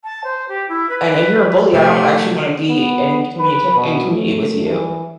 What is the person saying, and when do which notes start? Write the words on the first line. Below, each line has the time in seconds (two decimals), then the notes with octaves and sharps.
And if you're a bully, I don't actually want to be in communica in community with you
0.04 A5
0.24 C5
0.48 G4
0.68 E4
0.89 B4
1.73 C3 F3 A3 D#4 G4
2.68 B3
3.38 B4
3.76 B2
4.11 A3
4.69 E3